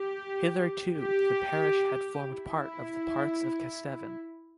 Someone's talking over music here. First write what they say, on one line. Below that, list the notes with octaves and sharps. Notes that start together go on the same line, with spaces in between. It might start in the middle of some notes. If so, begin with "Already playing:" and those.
Hitherto, the parish had formed part of the Parts of Kesteven.
Already playing: G4
G4
E4